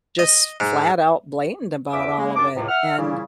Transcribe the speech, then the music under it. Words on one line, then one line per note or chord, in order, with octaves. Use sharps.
just flat out blamed about all of it, and
D#5
G#2
E2 E5 D6
G#3 A#3
F#2 D4 D6
C#2 A2 C3
E5 F#5 F6
A#2 C#3 E3 G3 E4